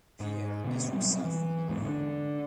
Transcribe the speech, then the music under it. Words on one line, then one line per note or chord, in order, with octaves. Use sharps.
Pierre is from South London.
G#2
B2 D3 B3
F#3 G3 C4
E3
A1 E2 G#2
D3 G#3 D4